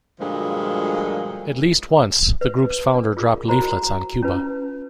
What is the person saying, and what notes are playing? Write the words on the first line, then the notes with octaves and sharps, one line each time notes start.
At least once, the group's founder dropped leaflets on Cuba.
D2 G2 A#2 D3 F3 G#3
B4
D4
F4 G#4 A#4
E4 F#4 A#4 C5 A#5 B5
A#5
C#4 E4 F4 B4 A5